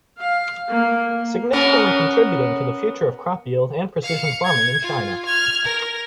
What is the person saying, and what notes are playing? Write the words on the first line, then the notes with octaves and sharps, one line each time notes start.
Significantly contributing to the future of crop yield and precision farming in China.
F5
A#3
B3 C#4 A#4
F5 C#7
G#6
F4
F6 G#6
A#4